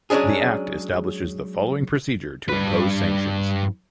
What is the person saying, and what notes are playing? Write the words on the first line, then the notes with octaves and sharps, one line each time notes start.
The act establishes the following procedure to impose sanctions.
F#3 G#3 C#4 D4 G#4
G2 B4